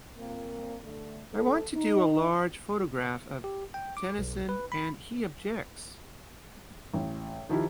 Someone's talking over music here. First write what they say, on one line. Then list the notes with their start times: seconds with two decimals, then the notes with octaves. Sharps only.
I want to do a large photograph of Tennyson and he objects!
0.18 A#2 A#3 C4
0.83 D3 A3
1.31 C3 D#3 A3 A4
1.74 D#4
3.44 G4
3.74 G5
3.97 D6
4.19 B1
4.49 B4
4.72 B5
6.94 A1
7.49 D#3 F3 E4 G4